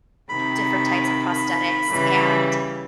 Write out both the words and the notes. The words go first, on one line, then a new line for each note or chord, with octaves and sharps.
different types of prosthetics and,
C3 D#3 B5
C#3 E3 G3